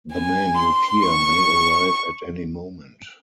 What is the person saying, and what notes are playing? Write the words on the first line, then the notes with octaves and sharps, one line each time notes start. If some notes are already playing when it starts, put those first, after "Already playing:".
The man you fear may arrive at any moment.
G#5
C6
C#6